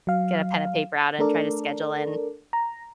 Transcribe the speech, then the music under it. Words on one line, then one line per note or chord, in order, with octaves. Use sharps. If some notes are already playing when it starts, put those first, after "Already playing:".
get a pen and paper out and try to schedule in
F#3 F5
A3 D4 A4 A#4 D5
A#5